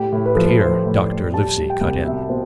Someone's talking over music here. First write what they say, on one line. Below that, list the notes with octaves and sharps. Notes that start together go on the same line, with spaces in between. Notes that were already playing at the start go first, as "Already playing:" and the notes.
But here Dr. Livesey cut in.
Already playing: A2 G4
A2
B4
F3 A4
B4
F3 C5
A2
D5
A2
G3 A5
G3
G5
C2
B2 E5
B2 C5